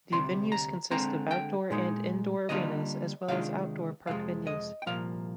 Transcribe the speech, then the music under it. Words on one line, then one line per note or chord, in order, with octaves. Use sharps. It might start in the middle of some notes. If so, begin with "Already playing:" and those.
The venues consist of outdoor and indoor arenas as well as outdoor park venues.
D2 C3 G3 C6
A#5
D3 G#3 C4 A#5
G5
A#2 G#3 D#4
D3 G3 A#3 D4 F4 D#5
C3 D#3 G#3 D4 F4 F5
F2 C3 F3 G#3 F5
D#5
G5
C2 A#2 F3 A#3 F5